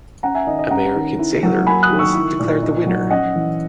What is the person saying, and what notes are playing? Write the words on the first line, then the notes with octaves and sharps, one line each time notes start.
American Sailor was declared the winner.
C#4 F#5 A#5
E5 G#5
D#3 D#5
D#5
C#4 F#5 A#5
D#3
E4
F#3
A#3 G#5 B5
D#6 F#6
D#3
C#6 E6
E4
A#2
D#4
F#3
C#4 D#5 F#5
E3